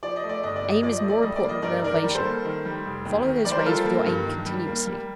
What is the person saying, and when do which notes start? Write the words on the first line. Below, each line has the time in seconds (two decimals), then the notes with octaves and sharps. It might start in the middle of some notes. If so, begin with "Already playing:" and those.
Aim is more important than elevation. Follow those rays with your aim continuously.
0.03 F3 D5
0.16 D#5
0.24 A3
0.29 D5
0.43 G1 D#5
0.56 D5
0.63 G2
0.70 D#5
0.83 F3 D5
0.96 D#5
1.04 A3
1.09 D5
1.22 G3 D#5
1.36 D5
1.44 A#3 D#5
1.62 G2 A#4 D5
1.84 D#3 A#4 D5
2.04 G3
2.15 A4 C5
2.24 A#3
2.45 D#3
2.65 G3
2.85 F1
3.05 D#2
3.25 D#3
3.45 G3 D5
3.51 C5
3.59 A#4
3.65 G3 F4 A4
3.86 A#3
4.06 G2
4.26 D#3
4.46 G3
4.67 A#3
4.87 G3